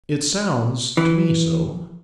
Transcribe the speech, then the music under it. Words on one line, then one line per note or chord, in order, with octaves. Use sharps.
'It sounds to me so.
E3